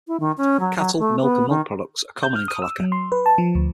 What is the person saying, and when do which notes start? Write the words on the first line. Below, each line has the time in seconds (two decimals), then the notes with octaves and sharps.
Cattle, milk and milk products are common in Cololaca.
0.08 E4
0.20 D#3
0.38 C#4
0.60 F#3
0.77 F#3
0.99 A3
1.22 B3
1.49 D#3
2.23 G6
2.36 F6
2.48 D#6
2.62 E6
2.80 F#3
2.92 C6
3.12 B4
3.26 A5
3.38 F3
3.55 D2